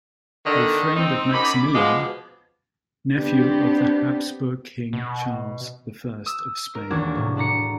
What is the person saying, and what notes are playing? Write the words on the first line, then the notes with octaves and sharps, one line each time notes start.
A friend of Maximilian, nephew of the Habsburg King Charles the First of Spain.
D3 D#3
C4 D#4
F#2 B5 D6
B2 F3 G#3
B3 C4 D4 G4
B2
D#6 E6
A#4 D7
E1 D#2 A#3 D4 F#4 G#6
A2 C3
A2 D4 D5 A#5 C#7